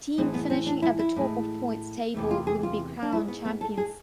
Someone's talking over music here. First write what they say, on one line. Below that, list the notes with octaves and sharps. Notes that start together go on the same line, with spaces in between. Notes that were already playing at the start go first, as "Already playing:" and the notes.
Team finishing at the top of points table will be crowned champions.
A2 E3 G#3 C4
B3
C4
D4
E4
E4
A2 G#3
E2 C3 E3 A3
F4
G#4
F4
D4
G#2 G#3 E4
B3
B3
A4
G#4